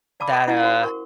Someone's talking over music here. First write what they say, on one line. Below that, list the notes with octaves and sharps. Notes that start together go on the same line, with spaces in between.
that, uh
D5 F5 A5 B5 D6 E6
A4 E5 F#5
C#4 E4 F5 F#5
F#4 C5 F5 F#5
F#4 A#4 C#6